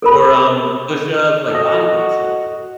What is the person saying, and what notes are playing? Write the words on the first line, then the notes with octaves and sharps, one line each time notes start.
Or, um, push-ups, like body weight stuff is great.
A4 A#4 B5
F#4 A4 D#5